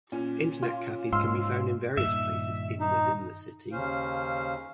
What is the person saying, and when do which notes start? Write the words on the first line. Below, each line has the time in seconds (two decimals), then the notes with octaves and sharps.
Internet cafes can be found in various places in within the city.
0.12 A#2 C#4
0.63 F4
1.13 G#2 F5 C6 E6
1.97 G2 A#2 D#3 E5
2.80 D#4
3.72 D#2 C#3 C#4 C5 F5